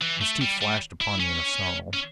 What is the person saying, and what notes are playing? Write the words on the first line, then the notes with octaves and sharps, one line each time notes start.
His teeth flashed upon me in a snarl.
E3
A3
G3
G3
E4
C#4
C#4